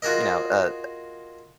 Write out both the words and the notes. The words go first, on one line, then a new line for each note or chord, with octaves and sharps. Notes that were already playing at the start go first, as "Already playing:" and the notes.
you know, a
F4 F#4 G#4 A#4 D#5